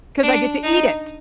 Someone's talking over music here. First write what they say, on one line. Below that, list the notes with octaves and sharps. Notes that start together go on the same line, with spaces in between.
'Cause I get to eat it."
D4
D#4